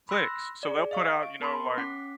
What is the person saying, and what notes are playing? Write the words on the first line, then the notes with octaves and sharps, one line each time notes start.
clicks, so, they'll put out, you know, like,
B5 C6 E6 F#6 A#6
G#4 D5
D#5 F5 C#6
D7
B3 A#4 A5 B5 C6
C#4 F#5 D6 B6